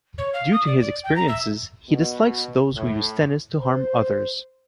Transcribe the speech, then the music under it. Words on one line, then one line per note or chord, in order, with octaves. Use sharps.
Due to his experiences, he dislikes those who use tennis to harm others.
C#5
F5
D#6
D5
D5
G5
A#5
E5
B2
A2
C5